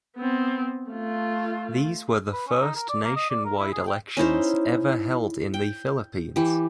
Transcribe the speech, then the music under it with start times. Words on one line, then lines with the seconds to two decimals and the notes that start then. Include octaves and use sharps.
These were the first nationwide elections ever held in the Philippines.
0.17 B3 C4
0.90 A3 F4
2.33 B4
2.48 C#4
2.60 D#4
2.75 A#4
2.89 D5
3.04 A#3
3.16 D#5
3.30 D5
3.45 A#4
3.58 E4
3.72 G#4
3.87 G5
4.17 C#4 D#4 E4 C5
5.54 G5
6.36 E3 G4